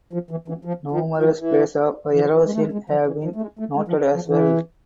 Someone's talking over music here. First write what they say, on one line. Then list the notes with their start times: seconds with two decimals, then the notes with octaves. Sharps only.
Numerous places of erosion have been noted as well.
0.13 F3
0.31 E3
0.48 E3
0.65 F3
0.91 F3
1.17 F3
1.24 E3
1.39 E3
2.13 E3
2.21 F3
2.33 F3
2.46 G#3
2.54 A3
2.60 G#3
2.72 G#3
2.90 F3
3.07 E3
3.24 F3
3.36 A3
3.42 G#3
3.59 A3
3.76 G#3
3.88 F3
4.15 F3
4.28 E3